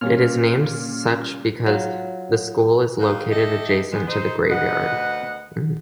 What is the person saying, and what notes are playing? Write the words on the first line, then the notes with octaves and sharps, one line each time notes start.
It is named such because the school is located adjacent to a graveyard.
A#2 G3 A#3 C#4 F6
F#3 F4
D#3 F#3 F#4 F5
G4 A4 D#5 E5
G#3 B3
D#4 C5
D2 B4 D#5 F#5